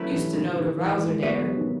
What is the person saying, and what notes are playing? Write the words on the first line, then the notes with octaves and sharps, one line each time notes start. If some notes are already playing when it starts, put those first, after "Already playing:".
Used to know de Wowzer dere.
Already playing: F#3 A3 C#4 E4 B4
E3
D#3
E3
D#3
E3
G#3
G#3 B3 F#4 B4 E5
F#3
D#3